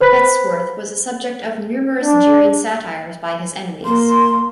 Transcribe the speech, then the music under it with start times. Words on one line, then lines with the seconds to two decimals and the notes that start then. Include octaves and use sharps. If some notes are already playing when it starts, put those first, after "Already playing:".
Bettesworth was the subject of numerous jeering satires by his enemies.
0.01 B4 C5 B5 F#6 B6
2.04 D4
3.84 A#3 C6